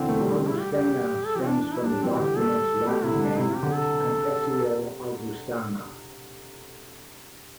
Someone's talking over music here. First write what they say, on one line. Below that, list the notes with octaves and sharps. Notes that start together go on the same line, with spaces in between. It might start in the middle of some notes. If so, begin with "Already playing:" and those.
"Augustana" stems from the document's Latin name, "Confessio Augustana".
Already playing: D3 E3 C4
A3
G3
C4
E4
G4
G4
A4
E3 G4
C4
D4
D4
E4
G3 D4
E3 C4
D3 G4
G3 A4
A3 G4
C3 E4
D3
D4
C3 E4
G4
D3
A4